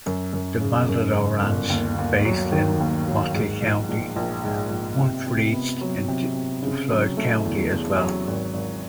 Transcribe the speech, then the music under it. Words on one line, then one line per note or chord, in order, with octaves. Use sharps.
The Matador Ranch, based in Motley County, once reached into Floyd County as well.
F#2
F#2
C#3
F#2
C#3
G1
D#2
D#2
F#3
D#3
D#2
F#3
G#2
A#1
A#1
A#1
G#2
A#1
C3
C3
B3
F#3
C3
C3
C#3
F#3
A3
E2
E2
F#3
G#1
G#1